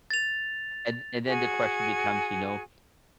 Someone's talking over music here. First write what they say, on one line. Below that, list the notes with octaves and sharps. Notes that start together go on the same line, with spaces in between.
and and then the question becomes, you know,
A6 F7
F#4 G#4 G#5